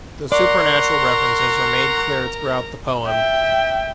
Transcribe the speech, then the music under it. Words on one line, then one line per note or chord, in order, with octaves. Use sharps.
The supernatural references are made clear throughout the poem.
A#4 D5 F#5 A#5 C6 C#6
E5 G5